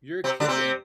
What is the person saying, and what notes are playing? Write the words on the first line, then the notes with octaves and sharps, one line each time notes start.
You're kidding!
C3 C4
D3 D4
C3 C4